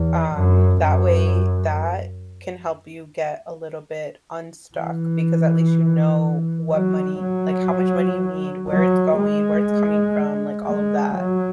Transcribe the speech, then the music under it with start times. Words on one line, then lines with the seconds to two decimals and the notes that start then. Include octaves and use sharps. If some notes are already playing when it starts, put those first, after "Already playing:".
um, that way, that can help you get a little bit unstuck because at least you know what money like, how much money you need, where it's going, where it's coming from, like, all of that,
Already playing: E2
0.33 F#2
0.82 F#2
4.75 E3
6.72 F#3
7.21 F#3
8.68 F#3
9.18 G#3
10.66 G#3
11.14 F#3